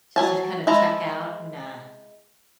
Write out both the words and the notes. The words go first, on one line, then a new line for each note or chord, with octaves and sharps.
Just to kind of check out, and, uh
F#3 G#5 A5
G#3 E4 A5 A#5